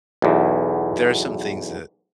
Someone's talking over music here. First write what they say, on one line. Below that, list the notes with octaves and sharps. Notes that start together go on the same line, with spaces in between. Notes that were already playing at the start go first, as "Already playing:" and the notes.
there are some things that
B1 E2